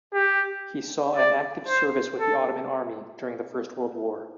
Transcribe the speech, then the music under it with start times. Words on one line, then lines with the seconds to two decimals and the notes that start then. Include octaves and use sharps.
He saw an active service with the Ottoman army during First World War.
0.13 G4
1.16 D5
1.68 C5
2.19 A4